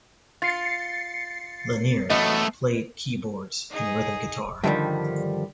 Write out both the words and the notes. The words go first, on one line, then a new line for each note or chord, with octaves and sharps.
Lanier played keyboards and rhythm guitar.
F4 A6 C7 C#7
E3 F#3 A3 B3 D#5
D#4 G#4
G2 D3 D#3 F3 G3